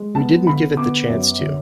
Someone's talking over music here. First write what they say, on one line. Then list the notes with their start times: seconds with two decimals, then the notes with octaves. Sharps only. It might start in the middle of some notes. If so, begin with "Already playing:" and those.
We didn't give it the chance to.
Already playing: G#3
0.15 B3 A5
0.46 D3 B5
0.77 B3 D6
1.08 F#2
1.39 D3